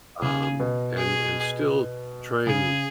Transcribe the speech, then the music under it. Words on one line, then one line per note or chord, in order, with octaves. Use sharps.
um, and and still try and
C#3 G#4
B2
G#4
C#3 G#4